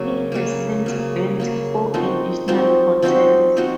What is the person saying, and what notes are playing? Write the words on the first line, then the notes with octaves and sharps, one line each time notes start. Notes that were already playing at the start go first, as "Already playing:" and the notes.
He has since built four additional hotels.
Already playing: C#3 F#3 A#3
C#3 F#3 A#3
C#3 F#3 A#3
C#3 F#3 A#3
F3 C4 D#4 F#4
F3 C4 D#4 F#4
F3 C4 D#4 F#4
F3 C4 D#4 F#4